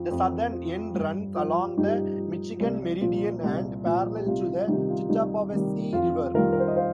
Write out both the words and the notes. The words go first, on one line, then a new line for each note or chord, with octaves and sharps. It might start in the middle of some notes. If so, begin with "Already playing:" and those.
The southern end runs along the Michigan Meridian and parallel to the Tittabawassee River.
Already playing: F2 F3
F2
F3
G2
F3
G2 D#4 G4
F3
C2
A#2 F3
C2
A#2 F3
G4
C2 F4
F4
C3 D#3 G3 D#4 G4
F4
C2 D#4
C3 D#3 G3
F2 F4
D#3 G3 F4 A#4
A#4
C5
D#5
C5 F5